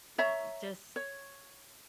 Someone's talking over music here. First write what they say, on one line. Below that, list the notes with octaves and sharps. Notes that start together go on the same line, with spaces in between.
e eh just
C#5 E5 A#5
C#5